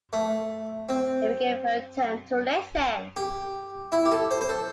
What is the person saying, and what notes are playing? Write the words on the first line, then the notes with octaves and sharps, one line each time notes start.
It became her turn to listen.
A3
C4
G4
E4
G4
A4
C5
C5
A4